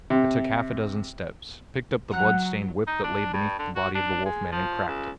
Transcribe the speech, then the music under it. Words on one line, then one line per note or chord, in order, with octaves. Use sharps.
I took half-a-dozen steps, picked up the blood-stained whip that lay beneath the body of the Wolf-man, and cracked it.
C3
F#3 F#5 A#5 F#6
D#4
D4
G2
D3
F#4
D4
G#3
F3
C#2